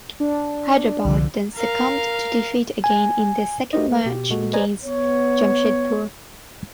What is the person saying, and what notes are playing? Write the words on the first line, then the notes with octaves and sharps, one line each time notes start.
Hyderabad then succumbed to defeat again in their second match against Jamshedpur.
D4
C2 D3 F3
A#4 F5
G#5
A3 F#4 G4 A#4 C5 D#5
A3 A4 B4
B2 G4
A#2 G#3 A#3 F#4 A4
B4 C5 D5 D#5 G#5 A#5
B3 C#5